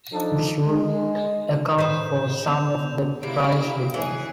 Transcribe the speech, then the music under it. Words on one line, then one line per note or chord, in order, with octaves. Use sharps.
This would account for some of the price difference.
F3 D4 D#4 A4
G#3
A2 B4 C5 G6 E7
B3 F7
C3 A#3 E4 D7
E3 G#4